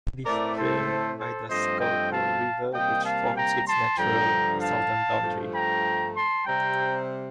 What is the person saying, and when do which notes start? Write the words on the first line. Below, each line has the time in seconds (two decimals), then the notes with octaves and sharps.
It is drained by the Schuylkill River which forms its natural southern boundary.
0.25 A2 A3 C4 A#4 D5
0.56 A4 C5
1.19 A4 C5
1.49 G2 F3 A3 C4 C5 D#5
1.80 D#5 G5
2.12 F5 A5
2.73 C3 G3 A#3 D#5 G5
3.04 F5 A5
3.35 G5 A#5
3.67 A5 C6
3.98 G2 D3 F3 G5 A#5
4.60 F5 A5
5.23 G2 F3 A3
5.53 G5 A#5
6.15 A5 C6
6.46 C3 G3 C4 G5 A#5